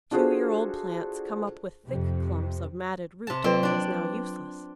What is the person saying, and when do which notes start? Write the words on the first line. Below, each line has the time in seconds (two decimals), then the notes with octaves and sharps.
Two-year-old plants come up with thick clumps of matted root that is now useless.
0.11 D4 F4 F#4 G#4 A4 C5
1.86 F2 C3
3.27 C3 A5
3.44 F#3 C4 F4 B4
3.63 D4 D5